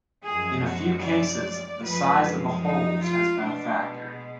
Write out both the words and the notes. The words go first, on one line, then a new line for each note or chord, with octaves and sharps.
In a few cases the size of the holes has been a factor.
F#2 F3 G#3 G#4
F#4
D5
F#2 F3 G#3 B4
D#4
F4
B2 G#3 D4